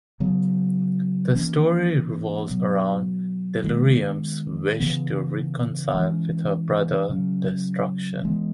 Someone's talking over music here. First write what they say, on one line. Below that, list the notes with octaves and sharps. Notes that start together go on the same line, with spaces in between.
The story revolves around Delirium's wish to reconcile with her brother Destruction.
C#3 F#3 B3
E3 A#3 C#4
B2 F#3 B3
D#3 G#3 B3
C#3 E3 B3
E3 G#3 C#4
C#3 F#3 C#4
E3 G#3 B3